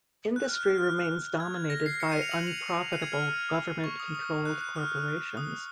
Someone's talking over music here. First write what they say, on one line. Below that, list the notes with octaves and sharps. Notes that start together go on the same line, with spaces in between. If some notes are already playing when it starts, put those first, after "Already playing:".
Industry remains dominated by unprofitable government-controlled corporations.
F#6
F6
F#6
F6
G#6
G#6
A#6
C7
A#6 C#7
C7 D#7
C#7 F7
D#7 F#7
C#7 F7
C7 D#7
G#6
F6
C#6
D#6
D#6
F#6
F#6
F6
D#6